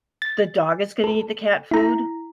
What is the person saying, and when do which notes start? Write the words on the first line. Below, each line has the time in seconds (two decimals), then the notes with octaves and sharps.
The dog is gonna eat the cat food?
0.22 A6
1.04 A4
1.71 E4 A#5